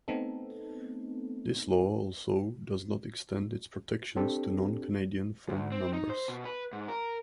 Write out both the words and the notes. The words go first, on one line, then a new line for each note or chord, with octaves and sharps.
This law also does not extend its protections to non-Canadian phone numbers.
A3 B3 C4 D#4 A4
C4 D4 G4 A4
D2
C4
D#4
C5
B2
B4
G#2
A#4